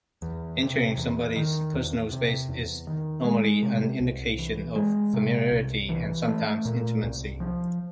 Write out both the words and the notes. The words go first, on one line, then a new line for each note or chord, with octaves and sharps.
Entering somebody's personal space is normally an indication of familiarity and sometimes intimacy.
E2
C3
E2
D#3
E2
C3
E2
D#3
G#3
C3
C2
E3
G#3
C3
C2
E3
A3
A#2
C2
F3